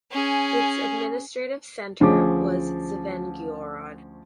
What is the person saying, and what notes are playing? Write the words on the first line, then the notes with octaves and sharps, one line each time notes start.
Its administrative centre was Zvenigorod.
C#4 G#4
D2 F3 C#4 G#4 D6